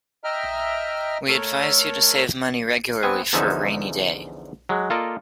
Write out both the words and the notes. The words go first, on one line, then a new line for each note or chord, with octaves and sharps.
We advise you to save money regularly for a rainy day.
D#5 E5 G5 A#5 F6
A3 A4 A#4 C#5
B3 C4 G#5
E2 D3 F3 C#4 D#4 E5
F#3 G#3
A#3 F4 A4 A#4 D5 D#5